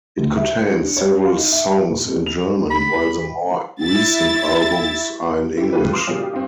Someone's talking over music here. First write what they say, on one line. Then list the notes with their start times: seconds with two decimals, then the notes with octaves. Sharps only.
It contains several songs in German, while the more recent albums are in English.
0.19 D2
0.37 E5
0.62 C#7
0.75 D4
0.97 C#5
1.25 F5
1.38 D#4
1.52 E5
1.90 A#2
2.06 F2
2.26 F7
2.70 B5
3.82 E4 E5 A6
5.57 E4 G4
5.73 C#3 F3 A3 F4 G4 B4
5.93 C6 D6 D#6 F6 C7
6.08 F2 A#2 C#3 G3
6.20 F4 G4
6.33 G2 C4